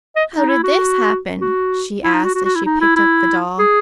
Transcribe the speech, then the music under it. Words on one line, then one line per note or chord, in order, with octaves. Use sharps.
"How did this happen?" she asked as she picked up the doll.
D#5
D#4
E4
F#4
F#4
E4
D#4
F#4
F#4
F#4
E4
D#4
E4
E4
G#4